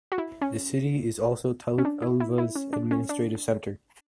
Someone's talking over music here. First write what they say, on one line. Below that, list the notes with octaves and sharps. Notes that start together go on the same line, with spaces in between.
The city is also Taluk Aluva's administrative center.
F#4
E4
C#4
C#4
D4
E4
E4
E4
C#4
D4
C#4
D4